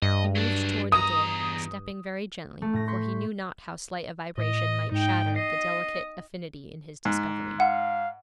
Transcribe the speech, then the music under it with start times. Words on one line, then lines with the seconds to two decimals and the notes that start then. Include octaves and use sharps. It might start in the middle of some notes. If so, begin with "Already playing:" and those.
He moved toward the door, stepping very gently, for he knew not how slight a vibration might shatter the delicate affinity in his discovery.
0.02 G2 D#5
0.35 F#3 D4
0.92 E2 A#5 D#6
2.62 A3
2.73 A2 A#6
2.88 C6 C#6 G6 B6
4.38 A2 D#5
4.92 G#2 D#4 G5
5.36 D#5 C7
7.05 G#2
7.60 F5 F#5